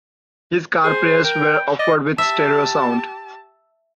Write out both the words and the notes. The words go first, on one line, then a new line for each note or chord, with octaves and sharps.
His car players were offered with stereo sound.
G#4 C5
A#4 G5
D5 D#5
G4 E5 A5